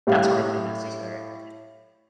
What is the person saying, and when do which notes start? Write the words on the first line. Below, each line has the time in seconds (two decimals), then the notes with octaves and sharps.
That's hardly necessary.
0.07 A2 G3 G4 F5